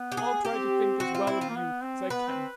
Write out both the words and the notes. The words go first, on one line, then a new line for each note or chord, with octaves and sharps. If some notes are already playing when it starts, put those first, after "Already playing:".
I'll try to think as well of you as I can.
Already playing: B3
G4
G#4
C4 G4
F#4
F4
E4
F4
A#3
B3
C4
B3 B4
C4